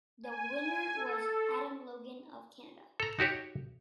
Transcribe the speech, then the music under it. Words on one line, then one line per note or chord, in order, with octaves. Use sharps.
The winner was Adam Logan of Canada.
G#5
A4
A4 A#5
D#4 F#4 G4 C#5